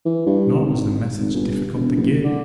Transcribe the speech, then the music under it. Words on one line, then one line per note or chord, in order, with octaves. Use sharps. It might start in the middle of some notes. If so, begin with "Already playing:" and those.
Nor was the message difficult to give.
E3
G2
G#1
G#1
G1
E1
F#1
D3